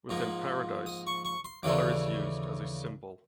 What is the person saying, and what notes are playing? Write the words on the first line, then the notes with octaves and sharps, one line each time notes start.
Within Paradise, color is used as a symbol.
G#2 F3 A#3
D#6
C#6
C#6
C6
D#2 C#3 E3 A3 D4 D6